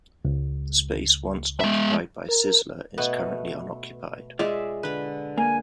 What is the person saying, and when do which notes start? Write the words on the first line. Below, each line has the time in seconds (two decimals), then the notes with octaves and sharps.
The space once occupied by Sizzler is currently unoccupied.
0.25 C#2
1.61 G#3 E5
2.29 A#4
2.98 B2 A3 B3
4.39 G#3 F4 G#4 D5 E5 D6
4.83 D3 B4 B5
5.38 A#3 G#5